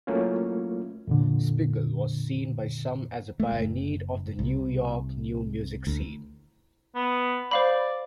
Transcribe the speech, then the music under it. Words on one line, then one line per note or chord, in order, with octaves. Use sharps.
Spiegel was seen by some as a pioneer of the New York new-music scene.
F#3 A3 A#3 C#4 E4 F4
F2 A#2 D3
A3
F#1
C2
D2
B3
C5 D5 F5 B5